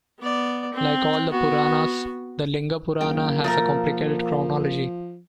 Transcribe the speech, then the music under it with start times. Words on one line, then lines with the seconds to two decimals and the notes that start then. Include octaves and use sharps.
Like all the Puranas, the "Linga Purana" has a complicated chronology.
0.19 B3 D5
0.73 C4
1.32 B3 F#4
3.01 F#1 A#3 G5
3.44 B2 F3 A3 A#4